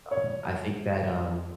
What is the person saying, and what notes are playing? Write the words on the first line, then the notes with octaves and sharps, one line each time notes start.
um, I think that, um
C#5